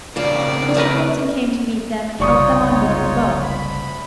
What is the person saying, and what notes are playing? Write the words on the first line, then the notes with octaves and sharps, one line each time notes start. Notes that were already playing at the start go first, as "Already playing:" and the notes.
Mr. Fulton came to meet them and helped them on board the boat.
E2 C#3 A#3 C4 D4 D5 F5
A3 A#4 B4
F#1 C2 D#4 F4 C#5 D5 C#6 D#6
D2 B5